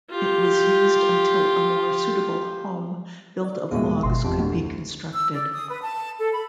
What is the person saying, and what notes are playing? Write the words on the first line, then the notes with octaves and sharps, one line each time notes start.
It was used until a more suitable home built of logs could be constructed.
F4 G4
D5
D#2 B2 G#3 G#4 E5
G1 B2 C6
F2 G4
D2
E6
D5
D#6
B4
A5
A4
B5